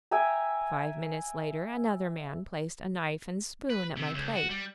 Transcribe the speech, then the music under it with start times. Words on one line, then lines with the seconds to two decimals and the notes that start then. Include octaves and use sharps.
Five minutes later another man placed a knife and spoon at my plate.
0.11 E5 G5 G#5 A#5
3.70 B4
3.96 C3
4.14 C#2
4.35 F#4
4.50 G3